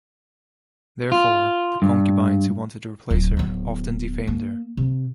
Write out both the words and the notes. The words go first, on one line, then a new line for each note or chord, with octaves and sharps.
Therefore, the concubines who wanted to replace her often defamed her.
F4
G2
D1
D1 B3
A#3
C3